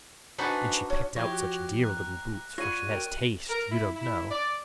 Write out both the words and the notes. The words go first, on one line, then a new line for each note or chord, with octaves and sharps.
And she picked out such dear little boots, for she has taste, you don't know.
D4 D#4 F#4 B4 C5 G#5
C#4
F3 E4 G4 C#5 A#6
F#4
A#5 F#6
F4 C#5 D5 F#5 B5 A#6 D#7
F#4 A#4 G5
A#4
E4
E4
D5